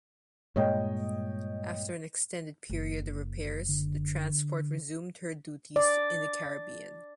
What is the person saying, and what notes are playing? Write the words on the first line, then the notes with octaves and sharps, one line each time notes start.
After an extended period of repairs, the transport resumed her duties in the Caribbean.
G2 A#2 G#3 C#5 D#5 G5
F#1
D3
D5